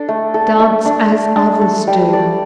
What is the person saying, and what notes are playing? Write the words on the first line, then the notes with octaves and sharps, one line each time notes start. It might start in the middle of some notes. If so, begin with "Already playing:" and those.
Dance as others do.
Already playing: D4 A4
A3
A4
A3
D4
A3
D4
A4
G3
D5